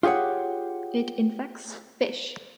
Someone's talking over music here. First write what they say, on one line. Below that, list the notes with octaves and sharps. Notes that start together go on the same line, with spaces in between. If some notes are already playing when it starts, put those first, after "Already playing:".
It infects fish.
F4 G4 G#4 C#5 F#5